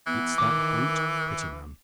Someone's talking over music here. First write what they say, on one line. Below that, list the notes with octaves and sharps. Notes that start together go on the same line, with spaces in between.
It's that brute, Prettyman.
E3 B3
D#3 D6